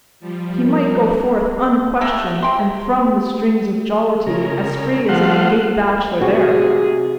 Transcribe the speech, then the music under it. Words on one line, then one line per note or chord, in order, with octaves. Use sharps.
He might go forth unquestioned and thrum the strings of jollity as free as any gay bachelor there.
F3 G3
A#4
A3 A#3 G4 A4
C3 G5 C6
C#3 A#4
F3 A3 F4 C5 F#5
C3 F#4 G#4